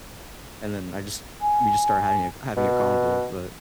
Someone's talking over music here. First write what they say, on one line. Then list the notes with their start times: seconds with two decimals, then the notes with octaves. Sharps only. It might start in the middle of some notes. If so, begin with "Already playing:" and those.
and then I just we just started hiding a having a convo, but,
1.42 G#5
2.57 B2